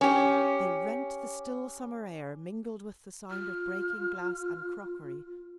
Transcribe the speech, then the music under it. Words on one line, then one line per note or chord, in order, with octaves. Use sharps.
They rent the still summer air, mingled with the sound of breaking glass and crockery.
C#4 G4
F4 F6